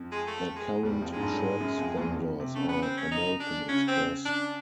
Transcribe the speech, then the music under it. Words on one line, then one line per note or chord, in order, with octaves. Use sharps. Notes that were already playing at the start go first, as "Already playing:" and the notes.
Their current shirt sponsors are American Express.
Already playing: F2
G#3
A3
G#3
E2 G3
F2
G#2 G#3
G2
A2
G#2
F#2
F2
E2
F2
C3
C#3 A3
B3
C4
C#4
D#4
D4
C#3 C#4
C4
D4